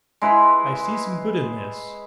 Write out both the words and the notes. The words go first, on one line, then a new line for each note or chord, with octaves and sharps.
I see some good in this.
G#3 E4 B4 B5